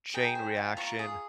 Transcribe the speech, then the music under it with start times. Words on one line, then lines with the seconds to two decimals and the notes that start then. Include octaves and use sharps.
chain reaction.
0.14 G#4 G5 A#5
0.35 C5
0.57 F4
0.77 F4 A#5 C#6
0.99 G#4